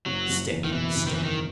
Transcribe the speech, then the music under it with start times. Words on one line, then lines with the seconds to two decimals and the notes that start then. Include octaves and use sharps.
'Stick, stick!
0.06 F#1 F#3
0.29 F#1
0.50 E2
0.64 D#3
0.73 B2 E3
0.95 F#1
1.07 D#3
1.15 E2 E3
1.24 D#3